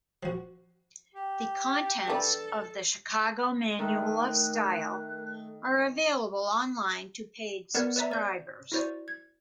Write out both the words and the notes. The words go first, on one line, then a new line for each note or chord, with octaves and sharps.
The contents of "The Chicago Manual of Style" are available online to paid subscribers.
F3 F#4
G4
D4 A4 B4
D#3 A3 A4 A#4 F#6
B3 A#4 B4 D5 F#5 G#6
B4 D5 E5 A#5
D5 G6
E4 F#4 C5 D5
G#6